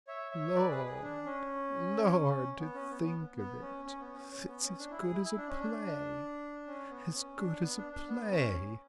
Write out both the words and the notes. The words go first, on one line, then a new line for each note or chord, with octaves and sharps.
Lord, Lord!--to think of it; it's as good as a play--as good as a play!'
C#5 E5
C#5 E5
B4 D5
G#4 B4
G#4
D4
C#4
B3
C#4
B3
B3
B3
C#4
C#4
B3
C#4
C#4
B3
C#4
D4
E4
G#4
E4
E4
D4
C#4
D4
C#4
B3
C#4
D4
B3
D4
D4
B3
C#4